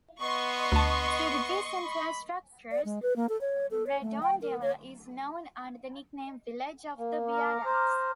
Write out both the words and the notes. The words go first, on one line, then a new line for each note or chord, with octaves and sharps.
Due to these infrastructures Redondela is known under the nickname Village of the viaducts.
B3 D#5 C6 C#6
D2 A5
B5
D5
G#3
B4
A#3
A4
C#5
A4
C#5
A3
G5
A#4
C#5
A#3
A#5 D6 F6
C5